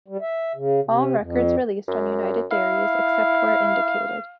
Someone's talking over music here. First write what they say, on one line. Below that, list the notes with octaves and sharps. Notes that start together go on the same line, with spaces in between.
All records released on United Dairies, except where indicated.
G3
E5
C#3
C3
F2
F#2
E4 F5